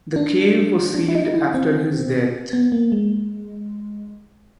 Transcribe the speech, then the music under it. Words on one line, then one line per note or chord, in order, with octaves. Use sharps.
The cave was sealed after his death.
D4
D4
E4
D#4
E4
C4
B3
A#3
G#3